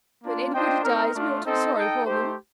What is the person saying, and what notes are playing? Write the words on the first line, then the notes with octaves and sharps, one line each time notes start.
When anybody dies we ought to be sorry for them.
A#3 D4 F4
D4 F4 C5 D#5 G5
C4 D#4 A#4
A3 D4 F4
C4 D#4 A4 C5 D#5
D#4 A4 D#5 G5
A3 D#4 G4 C5